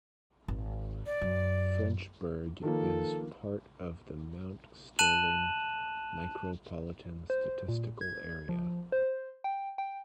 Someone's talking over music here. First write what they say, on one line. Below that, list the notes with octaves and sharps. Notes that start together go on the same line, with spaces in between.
Frenchburg is part of the Mount Sterling Micropolitan Statistical Area.
G#1
D5
F#2
D#3 F3 A#3 A4
A5 F#6 D#7 E7 F#7
C5
A#2
G#6
F3
C5
G5
G5